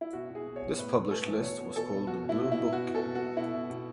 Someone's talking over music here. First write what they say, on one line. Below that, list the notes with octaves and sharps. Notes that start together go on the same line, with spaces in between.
This published list was called the "Blue Book".
E4
B2 F#4
B2
G#4
B2
C#5
B2
A2 B4
A2
A2 A4
E3
B2 C#5
B2
B2 A4
B2
B2 F#4
B2
E4
B2
B2 E4
B2 F#4
B2
A4
B2
F#4
B2
B2 E4
B2
B2